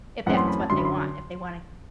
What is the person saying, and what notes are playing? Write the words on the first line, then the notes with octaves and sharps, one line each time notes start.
if that's what they want. If they wanna
F#2 E3 A3 C4 F#5
C6
B5
A5
F#2 D3 F#3 C6
B5
C6